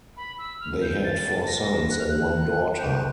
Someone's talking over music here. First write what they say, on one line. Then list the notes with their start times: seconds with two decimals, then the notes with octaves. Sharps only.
They had four sons and one daughter.
0.17 B5
0.39 E6
0.60 F6
0.82 G6
1.04 A6
1.47 A#6
1.91 F#6
1.99 F6
2.07 F#6
2.78 G6
2.92 F#6